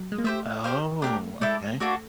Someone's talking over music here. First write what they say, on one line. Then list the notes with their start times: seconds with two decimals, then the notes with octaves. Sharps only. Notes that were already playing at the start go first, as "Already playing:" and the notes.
Oh, okay.
Already playing: F#3
0.12 G#3
0.18 A#3
0.24 A3 G4 C5 E5
0.64 G4 C5 F5
1.02 A3 D4 G4 A#4
1.41 G#3 E4 A4 D5 G5
1.80 A3 A#3 D4 F#4 A4